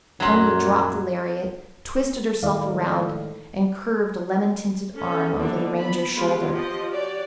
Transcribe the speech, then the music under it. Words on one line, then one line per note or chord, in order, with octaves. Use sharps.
Tonia dropped the lariat, twisted herself around, and curved a lemon- tinted arm over the ranger's shoulder.
F#2 A#2 F#3
A2 D#3 G#3 D5 F5
C#4 A4
D3 E3 A#3 B3 D4 D#4
B3 B5
G#3 B3 F4 G4
F3 G4 D#5
F#4 G4 C#5 D5